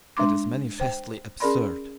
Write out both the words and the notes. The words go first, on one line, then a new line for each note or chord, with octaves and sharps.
That is manifestly absurd.
G#3 D4 C6 D6
C5 G5
C#4 G#4 A#4 D5 B5 C6